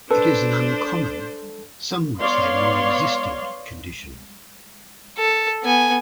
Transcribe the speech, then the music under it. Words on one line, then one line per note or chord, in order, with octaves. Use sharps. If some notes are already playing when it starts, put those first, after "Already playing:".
It is an uncommon, some would say nonexistent, condition.
D4 A4 B4 C5
B3 C#5 D5 F5 C6
A4
B3 G#5